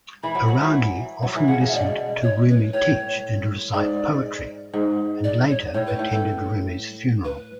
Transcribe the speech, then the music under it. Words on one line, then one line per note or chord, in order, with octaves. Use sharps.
'Araghi often listened to Rumi teach and recite poetry, and later attended Rumi's funeral.
E3 B5
F#3
F#3
E3
F#3
E3
C#3 F#5
C#3
E5
B2 D5
C#5
B4
A2 C#5
G#2 D5
G#2
D5
C#5
A2 C#5
B4
A2
A4
B4